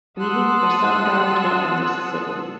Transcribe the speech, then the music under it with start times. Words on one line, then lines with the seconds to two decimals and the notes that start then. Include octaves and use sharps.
Leaving for some darn camp in Mississippi.
0.19 F#5 A5 C6 D#6 E6 F#6